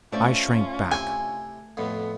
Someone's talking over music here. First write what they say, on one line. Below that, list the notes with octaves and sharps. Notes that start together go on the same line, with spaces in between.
I shrank back.
A3 C#4 F4 C5 D5
C3 E4 G5 G#5
F2 A2 B3